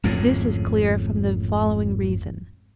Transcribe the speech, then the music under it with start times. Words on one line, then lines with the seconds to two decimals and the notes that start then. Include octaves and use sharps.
This is clear from the following reason.
0.04 G#1 F2 A2 C#3